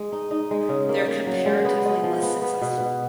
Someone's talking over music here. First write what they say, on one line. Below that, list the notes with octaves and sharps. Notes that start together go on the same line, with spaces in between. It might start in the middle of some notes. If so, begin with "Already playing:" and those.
They are comparatively less successful.
Already playing: G#3
D#4
D#4
G#3
C#3
A#3
A#3
F#3
G#3
B3
G#3
F3
B3
B3
B2
B2